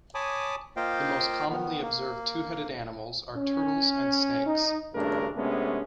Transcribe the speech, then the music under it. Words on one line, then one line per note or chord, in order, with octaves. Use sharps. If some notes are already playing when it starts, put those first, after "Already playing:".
The most commonly observed two-headed animals are turtles and snakes.
C#5 G#5 A5 B5 D6 D#6
A#3 F4 C5 D#5 F5 G5
D#3 B3
A#3
C#4
D#4
G#1 G2 C#3 A3 D4 A#4
C3 G#3 A3 B3 C#4 D4